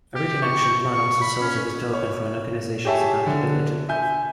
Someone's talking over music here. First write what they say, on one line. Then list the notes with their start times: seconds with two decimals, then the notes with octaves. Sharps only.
A written action plan also serves as a token for an organization's accountability.
0.15 G4
0.42 C#6
0.94 C#6
1.22 B5
1.41 C#4
1.93 C#5
2.85 G4 G#4 C#5 E5 A5
3.26 D3
3.89 E5 G#5 G6